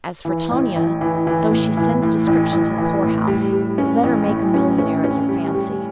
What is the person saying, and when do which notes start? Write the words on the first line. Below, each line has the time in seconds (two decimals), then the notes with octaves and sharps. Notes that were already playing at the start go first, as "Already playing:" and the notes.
As for Tonia, though she sends description to the poorhouse, let her make a millionaire of your fancy.
0.25 E3
0.51 A1
0.76 A1
1.01 E3
1.27 E3
1.51 A2
1.77 E3
2.02 A2
2.27 A1
2.52 A1
2.78 E3
3.03 A2
3.27 G3
3.53 G3
3.78 C#4
4.03 A1
4.28 A2
4.54 C#4
4.78 C#4
5.04 C#4
5.29 G3
5.55 G3